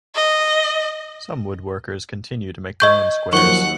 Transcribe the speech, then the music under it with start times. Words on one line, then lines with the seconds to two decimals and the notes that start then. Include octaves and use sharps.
Some woodworkers continue to make their own squares.
0.15 D#5
2.80 D#5 C#6 G6
3.33 D#2 D#3 F3 F#3 F#5 C#6 G7